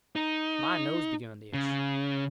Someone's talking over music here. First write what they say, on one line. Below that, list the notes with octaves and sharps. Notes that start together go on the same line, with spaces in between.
My nose begun to itch.
D#4
C#3